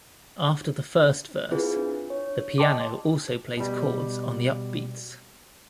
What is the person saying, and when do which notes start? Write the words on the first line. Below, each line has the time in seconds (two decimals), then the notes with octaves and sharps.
After the first verse, the piano also plays chords on the upbeats.
1.52 C4 E4 F4 G#4 B4
1.76 D4
2.10 C#5
2.58 D5 D#5 G5 A5 C6 D6
3.57 B2 G3